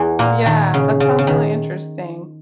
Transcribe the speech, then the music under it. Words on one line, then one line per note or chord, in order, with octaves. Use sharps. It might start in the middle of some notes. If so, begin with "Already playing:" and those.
Yeah, that sounds really interesting.
Already playing: E2 E3
A#2 A#3
D#3
C#3
C#3
C#3
D#3